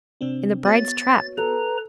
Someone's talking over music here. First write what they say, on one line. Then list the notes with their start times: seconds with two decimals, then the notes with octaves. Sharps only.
"In the bride's trap."
0.21 C3 C4 D4
0.65 B3 F#4 C#5 A6
1.38 A4 B4 A#5